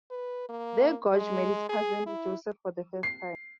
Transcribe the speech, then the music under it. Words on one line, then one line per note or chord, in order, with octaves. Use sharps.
There George met his cousin, Joseph, for the first time.
B4
A#3
G#3
G#4
E4
C7